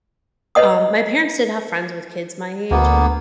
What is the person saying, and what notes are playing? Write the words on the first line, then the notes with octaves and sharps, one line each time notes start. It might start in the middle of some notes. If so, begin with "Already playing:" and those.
um, my parents did have friends with kids my age,
B4 C#5 D#5 F#5 D#6
D2 A#3 B3